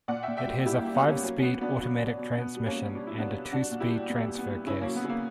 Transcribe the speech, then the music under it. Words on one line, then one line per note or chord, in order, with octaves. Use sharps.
It has a five speed automatic transmission and a two speed transfer case.
A#2 D5 F#5
A#2 E5 G5
E5 G5
G3
G3 E4 G4
G3 A#3
B3
G3 A#3 C#4
F#3 A#3 C#4
C#4
F#3 B3
F#3 B3 D4
F#3
B2
B2
B2 B3
G3
A#3 C#4
G3
G3 D4
E4
G3 B3 D4
G3
G3 D4 F#4
A#2
E4 G4
G3
A#2 B3
G3
B3
G3
C#3 C#4 E4
F#3 A#3 C#4
B3
C#3
A#3